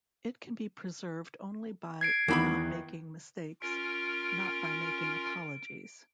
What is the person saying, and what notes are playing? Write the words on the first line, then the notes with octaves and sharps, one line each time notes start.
It can be preserved only by not making mistakes, not by making apologies.
G#6 C7 D7
E2 D#3 E3 B3 E4 B5
C#4 F4 A#4 D7